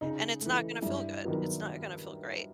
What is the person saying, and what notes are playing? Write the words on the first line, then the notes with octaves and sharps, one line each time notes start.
And it's not gonna feel good, it's not gonna feel great.
C#3 D#4
E3 A3
G2 E4
D#3 F#3 B3